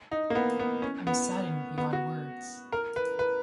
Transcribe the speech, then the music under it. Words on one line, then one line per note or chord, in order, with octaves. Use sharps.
I'm saddened beyond words.
D#4
A#3
B3
B3
C#4
B3
B3
F#4
A#4
B4
B4